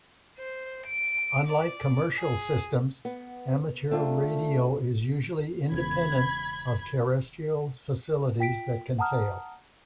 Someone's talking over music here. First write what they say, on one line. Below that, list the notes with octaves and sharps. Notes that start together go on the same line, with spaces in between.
Unlike commercial systems, Amateur radio is usually independent of terrestrial facilities that can fail.
C5
D7
D5
G#4
B3
A3 C4 D4 F4
E1 E2 C#3 B5 G#6
F4 G5 B6 D7
F#5 A5 A#5 D#6 F6